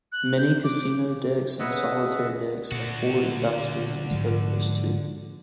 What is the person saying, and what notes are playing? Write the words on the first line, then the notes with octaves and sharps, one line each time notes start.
Many casino decks and solitaire decks have four indices instead of just two.
F#6
G6
D6
C#3 B3 C#5 D#5 E5 F#5
A#2 D3 F#4
G#2 F3 G#3